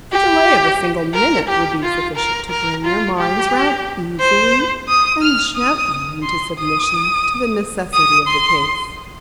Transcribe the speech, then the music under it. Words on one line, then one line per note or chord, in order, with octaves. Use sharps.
The delay of a single minute would be sufficient to bring their minds round easily and gently into submission to the necessity of the case.
G4
A#4
G4
F4
A#4
A#4
F4
G4
C5
D#6
F6
D#6
C6
D#6
D#6
C6